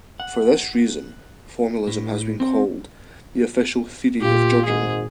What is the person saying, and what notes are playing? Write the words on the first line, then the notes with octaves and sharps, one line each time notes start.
For this reason, formalism has been called 'the official theory of judging'.
F#5
A2
C4
A#2 F4 G4
G#1 G#2 G#4